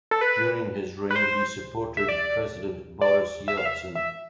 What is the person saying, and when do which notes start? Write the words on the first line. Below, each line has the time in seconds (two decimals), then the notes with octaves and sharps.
During his reign he supported President Boris Yeltsin.
0.11 A4
0.21 B4
1.11 B4
1.16 C5
1.97 E5
2.09 D5
3.01 D5
3.48 E5
3.57 F5
3.65 E5
3.95 E5